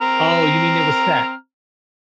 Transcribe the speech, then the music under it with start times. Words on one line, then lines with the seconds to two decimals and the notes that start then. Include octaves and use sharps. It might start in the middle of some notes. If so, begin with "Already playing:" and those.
Oh, you mean it was set?
0.01 C4 A#5 F6